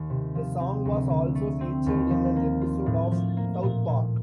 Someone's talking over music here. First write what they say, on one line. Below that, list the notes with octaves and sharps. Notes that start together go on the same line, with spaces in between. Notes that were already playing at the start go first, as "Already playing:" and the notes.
The song was also featured in an episode of "South Park".
Already playing: D#2 D#3
C3
F3
C4
D2
D3
A3
C4
D#2
F3
A#3
F4
A2
F3
A#3
A#2
A#2